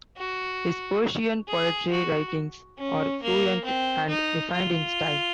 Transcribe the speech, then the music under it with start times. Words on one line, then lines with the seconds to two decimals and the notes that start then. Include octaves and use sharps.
His Persian poetry writings are fluent and refined in style.
0.17 F#4
1.48 G#4
1.91 F#4
2.78 C#4
3.22 A#3
3.65 C4
4.08 D#4
4.52 F4